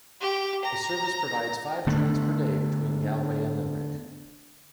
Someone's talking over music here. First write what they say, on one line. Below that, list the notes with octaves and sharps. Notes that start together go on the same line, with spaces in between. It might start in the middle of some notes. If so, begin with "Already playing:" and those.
The service provides five trains per day between Galway and Limerick.
G4
A#5
D3 A3 B3 D4